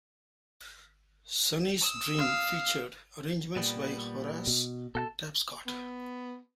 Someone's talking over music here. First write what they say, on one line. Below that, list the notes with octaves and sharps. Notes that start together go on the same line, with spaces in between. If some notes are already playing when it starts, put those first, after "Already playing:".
"Sonny's Dream" featured arrangements by Horace Tapscott.
D#6 E6
F5
A#2 G3 B3
B2
B2 A4 F#5 A5
B3